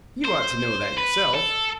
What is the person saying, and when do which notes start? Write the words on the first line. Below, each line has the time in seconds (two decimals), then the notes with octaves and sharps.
You ought to know that yourself.
0.25 C5
0.98 B4
1.35 A4